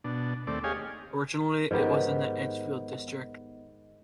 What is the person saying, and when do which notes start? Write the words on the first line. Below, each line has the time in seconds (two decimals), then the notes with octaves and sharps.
Originally it was in the Edgefield District.
0.04 B2 D4
0.47 D#2 A3 C4 D5
0.64 G4 G#4 C#5 D#5 F5 G#5
1.71 G#2 D#3 B3 G4